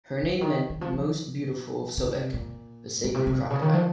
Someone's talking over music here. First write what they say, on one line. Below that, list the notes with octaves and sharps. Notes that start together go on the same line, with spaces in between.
Her name meant "most beautiful of Sobek", the sacred crocodile.
C#3
D#3
D#3
F3
F3
C#3
C3
A#2
A#2
C3
C3
A#2
C#3
D#3
F3